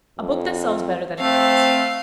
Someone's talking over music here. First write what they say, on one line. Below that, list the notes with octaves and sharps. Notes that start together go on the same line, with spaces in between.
A book that sells better than it reads.
F2
A3 C4 F5